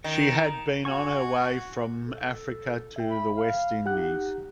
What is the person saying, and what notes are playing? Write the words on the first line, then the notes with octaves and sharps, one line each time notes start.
She had been on her way from Africa to the West Indies.
D#3
F#4 G#5 C#6
A4
E5 G5
B5
F5
D#4 G4 F#5 F#6